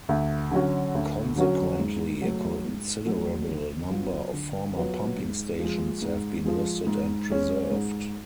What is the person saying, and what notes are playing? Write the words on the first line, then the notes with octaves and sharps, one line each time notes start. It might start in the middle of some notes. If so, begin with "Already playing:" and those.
Consequently, a considerable number of former pumping stations have been listed and preserved.
D2
D3 F#3 C#4 F#4
D2
D3 F#3 C#4 F#4
G#2
F#3 A3
G#2
F#3 A3
D3
F#3 B3 F4
D3
F#3 B3 F4
G#2
F3 G#3
G#2
F3 G#3
G#2
G#3 C#4
G#2